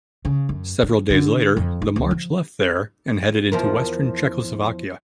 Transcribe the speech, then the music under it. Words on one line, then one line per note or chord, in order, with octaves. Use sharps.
Several days later the march left there and headed into western Czechoslovakia.
C#3
F#2
D#3
D3
F2
D#4
D2
F3
E2 F3 A#4